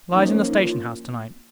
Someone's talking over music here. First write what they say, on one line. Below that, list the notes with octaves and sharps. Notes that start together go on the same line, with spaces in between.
Lies in the station-house to-night.
F3 A#3 C#4 D#4
D#4
F4